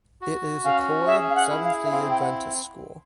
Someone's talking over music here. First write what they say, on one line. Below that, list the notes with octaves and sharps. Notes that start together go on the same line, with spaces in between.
It is a coed Seventh Day Adventist school.
F#4
C#4 F5
G#4 E5
F5
F#5
E4
F5
E5
C4 F5
G5
F#5